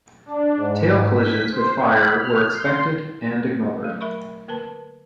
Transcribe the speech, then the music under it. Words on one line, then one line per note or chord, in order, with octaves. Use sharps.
Tail collisions with fire were expected and ignored.
D4
G#2
B6
C5
B5
F6
C6
F#3 A3
A#4 E5 B5 C#6
D3 A#3 A#4 B4 A5